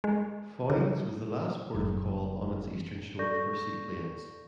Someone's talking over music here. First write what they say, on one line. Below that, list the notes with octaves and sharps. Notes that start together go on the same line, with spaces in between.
Foynes was the last port of call on its eastern shore for seaplanes.
G#3
C#3
F#1
A4 D5 C#6 G6 A#6